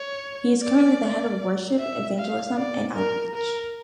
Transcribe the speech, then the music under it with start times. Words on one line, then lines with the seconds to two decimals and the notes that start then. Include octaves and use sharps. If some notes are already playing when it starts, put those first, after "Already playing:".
He is currently the head of Worship, Evangelism and Outreach.
Already playing: C#5
0.62 D5
1.80 E5
2.18 F5
2.58 D5
2.96 A#4
3.35 A#4